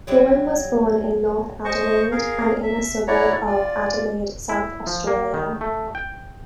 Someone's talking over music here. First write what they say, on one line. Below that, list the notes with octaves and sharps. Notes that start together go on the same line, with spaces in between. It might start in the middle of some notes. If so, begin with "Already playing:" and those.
Bowen was born in North Adelaide, an inner suburb of Adelaide, South Australia.
F#3 G3 E4
C5 D#5 C#6
G#4 A#4 F5
E5
E4 C#5 D5 F#5 A#5
F4 D5
E4
F3
A#3
D#3
A3
G5